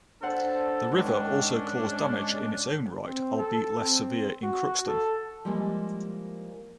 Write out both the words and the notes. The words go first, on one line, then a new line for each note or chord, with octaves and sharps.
The river also caused damage in its own right, albeit less severe, in Crookston.
D4 A4 C5 F#5
G#2 D#3 C#4 D4
G#3
C4
A4
C4
F#4
A4
F3 G3 G#3 A#3 E4